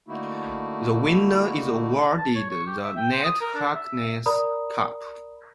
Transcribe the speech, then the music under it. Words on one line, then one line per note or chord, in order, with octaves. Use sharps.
The winner is awarded the Ned Harkness Cup.
D3 A3 A#3 D#4 E4 F#4
A5
C#5
C#6
G4
E5
G5
C5
D#6
A#4
D4
E5
A#4 D5 A#5 B5 D#6